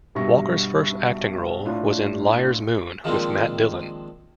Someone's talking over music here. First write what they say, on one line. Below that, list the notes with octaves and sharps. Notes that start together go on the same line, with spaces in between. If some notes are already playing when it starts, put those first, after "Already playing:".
Walker's first acting role was in "Liar's Moon" with Matt Dillon.
G2 B2 G3 E5 C#6 A#6
A2 D4 F4
D#3 F3 G#3 A#3 C4 D4